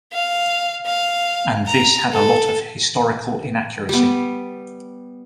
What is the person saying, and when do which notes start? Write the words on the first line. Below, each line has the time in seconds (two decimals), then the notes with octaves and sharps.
And this had a lot of historical inaccuracy.
0.13 F5
0.86 F5
1.67 A#5
2.13 A4
3.89 G3 B3